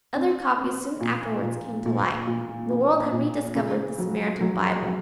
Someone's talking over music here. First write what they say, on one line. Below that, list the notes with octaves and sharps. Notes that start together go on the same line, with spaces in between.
Other copies soon afterwards came to light: the world had rediscovered the Samaritan Bible!
C4
C4
A#2
A#2
A#2
A#2
A#2
A#2
C#3
F#3
F#3
F#3